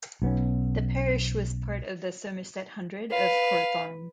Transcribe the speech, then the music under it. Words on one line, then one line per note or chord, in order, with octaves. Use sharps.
The parish was part of the Somerset hundred of Horethorne.
B1 B3 C#4
B4 F5